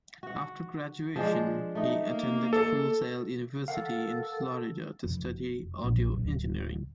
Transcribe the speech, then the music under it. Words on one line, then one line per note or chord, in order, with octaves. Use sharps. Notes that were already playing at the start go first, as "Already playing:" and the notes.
After graduation, he attended Full Sail University in Florida to study audio engineering.
F#4 F#5
F3 G#3 D4
A3 D#4
A#3
A4
A4 A#4 F5 F#5
F1
A#1
D1